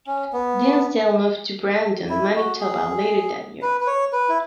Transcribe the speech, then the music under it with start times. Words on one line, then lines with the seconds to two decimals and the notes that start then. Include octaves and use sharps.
Dinsdale moved to Brandon, Manitoba later that year.
0.07 C#4
0.33 B3
2.10 E4
2.35 F#4
2.60 G#4
3.62 B4
3.81 B4
3.87 C#5
4.13 B4
4.29 E4